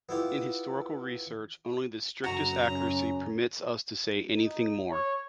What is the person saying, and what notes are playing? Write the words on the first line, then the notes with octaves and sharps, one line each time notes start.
In historical research, only the strictest accuracy permits us to say anything more.
B3 E4 F4 G4
F#2 C#3 F#4 A#5
C#4
D#4
C#5